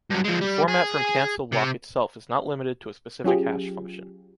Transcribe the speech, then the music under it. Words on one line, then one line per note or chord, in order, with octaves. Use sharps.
The format from "Cancel-Lock" itself is not limited to a specific hash function.
G2 F#3
F3 G#3
G3
G#4
C3
F#3 C#4 F4 G4 G#4